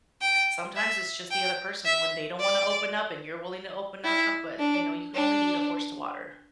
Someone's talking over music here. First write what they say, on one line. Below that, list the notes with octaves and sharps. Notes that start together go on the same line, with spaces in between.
sometimes it's just the other person when they don't wanna open up and you're willing to open up, but, you know, you can only lead a horse to water.
G5
E5
G5
E5
D5
E4
D4
D4